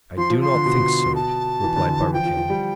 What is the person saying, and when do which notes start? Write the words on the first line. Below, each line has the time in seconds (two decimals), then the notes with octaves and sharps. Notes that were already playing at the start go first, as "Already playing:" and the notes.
"I do not think so," replied Barbicane.
0.18 F3 C6
0.30 F3
0.42 F3 C6
0.54 D3
0.66 B2
1.15 A5
1.64 E3
1.76 D3
1.89 D3
2.01 E3
2.13 F3 G5
2.25 F3
2.37 F3
2.50 G3